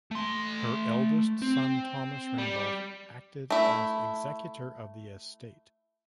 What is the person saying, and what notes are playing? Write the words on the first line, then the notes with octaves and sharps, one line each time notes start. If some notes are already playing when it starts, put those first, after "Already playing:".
Her eldest son Thomas Randolph acted as executor of the estate.
A3 C6
C4
G3
A3 E4